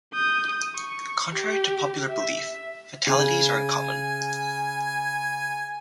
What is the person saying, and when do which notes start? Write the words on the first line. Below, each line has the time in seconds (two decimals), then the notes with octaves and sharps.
Contrary to popular belief, fatalities are uncommon.
0.14 D#6 G6
0.46 D#6
0.77 C#6
1.34 G4
2.10 E5
3.07 C#3 G#5